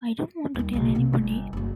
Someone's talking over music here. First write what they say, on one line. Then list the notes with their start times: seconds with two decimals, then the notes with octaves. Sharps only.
I don't want to tell anybody.
0.55 D#2 G3
0.73 B1 C#3
0.95 C3 A#3
1.13 G1
1.53 F#1 D2